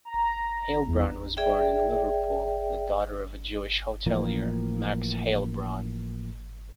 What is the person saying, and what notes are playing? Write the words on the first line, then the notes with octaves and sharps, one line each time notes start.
Heilbron was born in Liverpool, the daughter of a Jewish hotelier, Max Heilbron.
A#5
E2
G#4 D5 E5 G5
A2 E3 F3 A#3